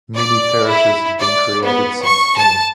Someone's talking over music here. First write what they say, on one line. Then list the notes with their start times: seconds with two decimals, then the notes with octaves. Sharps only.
Many parishes have been created since then.
0.14 D5
0.67 E4
1.19 D5
1.63 B3
2.02 C#6
2.38 A5